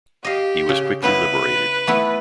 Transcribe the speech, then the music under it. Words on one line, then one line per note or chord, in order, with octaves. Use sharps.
He was quickly liberated.
G4 D#5 F5
C#3
C#3 B3 E4 B4
A3 B3 E4